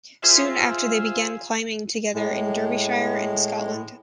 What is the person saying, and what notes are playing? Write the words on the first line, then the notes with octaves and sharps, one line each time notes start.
Soon after they began climbing together in Derbyshire and Scotland.
F4 G#4 C5 E5 F5
A2 G#3